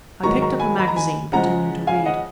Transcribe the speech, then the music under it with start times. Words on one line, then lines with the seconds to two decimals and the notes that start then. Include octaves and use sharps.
I picked up a magazine, pretending to read.
0.23 G#2 D#3 F#3 A#5 C#6
0.41 A#5 C#6
0.60 G#5 B5
0.78 B5
0.88 A#5
0.96 G#5 B5
1.32 C#3 F3 G#3 F#5 A#5
1.87 F5 G#5
2.06 D#5 F#5